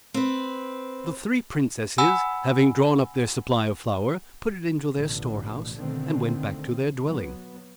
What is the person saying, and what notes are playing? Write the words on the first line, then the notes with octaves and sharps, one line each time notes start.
The three princesses, having drawn up their supply of flour, put it into their storehouse, and went back to their dwelling.
C4 B4
F#5 G#5 B5 E6
A1 B2 D3
B2 D3 D#3 A3 C4
F#3 B3